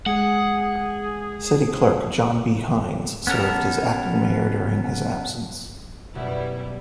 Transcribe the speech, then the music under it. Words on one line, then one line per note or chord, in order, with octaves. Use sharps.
City Clerk John B. Hynes served as acting mayor during his absence.
G#3 G#4 F#5
B3 C#4 A4 A#4
F#2 B2 G3 E4